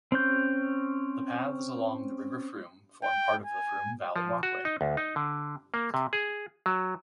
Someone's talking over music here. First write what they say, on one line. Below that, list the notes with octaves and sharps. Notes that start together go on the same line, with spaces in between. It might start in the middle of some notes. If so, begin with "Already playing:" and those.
The paths along the River Frome form part of the Frome Valley Walkway.
C4 C#4 G6
G5
G#5
F3
F#4
D#4
D2
D#4
D3
A#3
C3
G#4
F#3